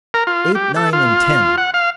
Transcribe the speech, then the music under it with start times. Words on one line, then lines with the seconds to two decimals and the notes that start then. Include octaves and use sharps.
Eight, Nine and Ten.
0.14 A#4
0.27 F4
0.55 G4
0.76 A4
0.93 F4
1.58 F#5
1.74 F5